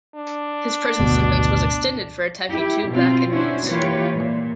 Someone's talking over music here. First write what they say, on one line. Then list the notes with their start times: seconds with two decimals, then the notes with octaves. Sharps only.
His prison sentence was extended for attacking two black inmates.
0.15 D4
1.00 G#1 D2 B2
2.51 E4 G4
2.89 B2 C4 F4
3.31 C#4 D4 E4 F#4 C5
3.69 E3 A#3 F4 G4 B4 C#5
4.14 A#2